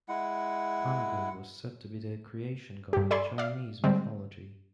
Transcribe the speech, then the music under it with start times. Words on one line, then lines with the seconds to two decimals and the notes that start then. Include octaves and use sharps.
Pangu was said to be the creation god in Chinese mythology.
0.08 G#3 E4 F#5
2.93 G2 G4
3.11 A4 D5 G#5 B5 C6
3.38 D5 E5 F5
3.84 D3 G3 G#3 C4